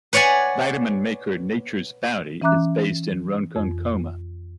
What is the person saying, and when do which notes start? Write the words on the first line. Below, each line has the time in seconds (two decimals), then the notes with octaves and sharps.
Vitamin maker Nature's Bounty is based in Ronkonkoma.
0.13 B4 C#5 D5 F#5 G#5
2.42 E3 C#4 E5 A#5 D6 F#6
3.56 F2